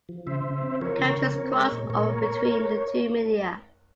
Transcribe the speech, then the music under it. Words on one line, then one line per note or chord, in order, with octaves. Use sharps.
Characters cross over between the two media.
F3
C#3 C5 E5
C#3
C4
F3 A#4 C#5
C#3
C#3
C4
G#3
A#2
A#2 A#4 C#5